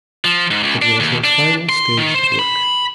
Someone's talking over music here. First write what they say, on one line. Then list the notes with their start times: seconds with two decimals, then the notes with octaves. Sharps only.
It was her final staged work.
0.25 F3
0.51 G#2
0.63 C#2
0.82 D4
1.00 D#2
1.24 D4
1.69 C6
1.97 D#3
2.14 C5
2.39 B5